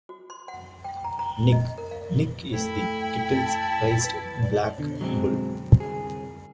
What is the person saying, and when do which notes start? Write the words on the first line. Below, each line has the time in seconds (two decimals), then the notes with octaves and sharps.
Nick: Nick is the Kettles' prized black bull.
0.09 F#4
0.30 C6
0.48 F#5
0.84 G5
1.04 A#5
1.19 A#5
1.52 D#5
1.78 A#4
1.91 F5
2.53 A3 E4 A4 G5
3.32 A5
4.04 B4
4.78 B2 D3
5.01 F#3 G#3 C4
5.80 C2 G#4